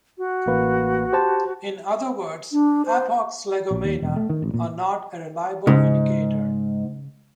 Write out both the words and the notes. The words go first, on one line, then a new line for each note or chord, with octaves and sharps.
In other words, "hapax legomena" are not a reliable indicator.
F#4
A1 A#3 B4
G4 C5 A5
D4
C5
A#1
D#2
E1
A3
D#3
A1
A#2
G#2 C#3